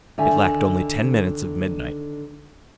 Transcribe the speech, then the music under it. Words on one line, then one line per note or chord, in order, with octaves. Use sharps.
It lacked only ten minutes of midnight.
D3 D#3 E5 G#5